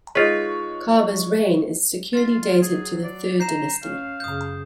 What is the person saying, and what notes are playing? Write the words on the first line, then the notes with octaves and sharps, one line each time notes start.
Khaba's reign is securely dated to the Third Dynasty.
G#3 D#4 F4 B4 C#5
F4 A6 C7
F#3 G#4
D5
A#5 G6 C7 E7
C#4 F5
F#2 C#3 D#6 G6